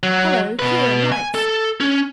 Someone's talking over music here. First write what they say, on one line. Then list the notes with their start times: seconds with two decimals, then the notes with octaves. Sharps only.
Hollo, here, lights!
0.03 F#3
0.59 B2 B4
1.12 G#5
1.35 A4
1.80 C#4